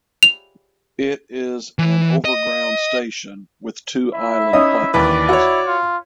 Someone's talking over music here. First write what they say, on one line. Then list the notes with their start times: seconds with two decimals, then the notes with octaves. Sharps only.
It is an overground station with two island platforms.
0.23 F7
1.79 E3
2.25 D#5
4.14 E4 E5
4.53 C#4 D#4 D#5 D#6
4.94 D#2 E3 B4 D5
5.29 E4 F#4 C#5
5.66 F4